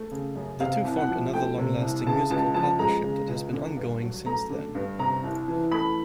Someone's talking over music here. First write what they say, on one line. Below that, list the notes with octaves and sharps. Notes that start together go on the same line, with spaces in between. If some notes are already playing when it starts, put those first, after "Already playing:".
The two formed another long lasting musical partnership that has been ongoing since then.
Already playing: A3
C#3
F#2
C3 F5
C2
F#5
F3
A3 G5
C3
C2
C#3 A5
C#2 A5
F3 A5
G#3 A#5
C#3
C#2
D3
G2
F#3
A3 A#5
D3
G2
C3 A#5
C2
E3
A3 B5